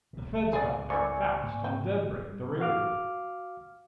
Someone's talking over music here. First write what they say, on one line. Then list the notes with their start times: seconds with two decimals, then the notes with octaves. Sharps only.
The Feds got there, fast, and dead-brained the raider.
0.13 C#2 B2
0.53 G#4 D5
0.90 A3 C4 E4 D5 G#5 C#6
1.44 G#2 C3 A#3
1.64 G5
2.60 F#4 F5 D6 F6